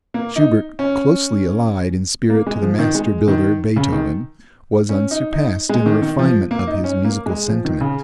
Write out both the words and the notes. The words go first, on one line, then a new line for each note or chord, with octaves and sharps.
Schubert, closely allied in spirit to the master-builder, Beethoven, was unsurpassed in the refinement of his musical sentiment.
A#3
D#4
C#4
A#3
G#3
F3
D#3
G#3
D#3
C#3
D#3
C#4
D#4
D#4
G#3
D#3
D#3
F3
A#3
D#4
C#4
A#3
G#3
F3
D#3
C#3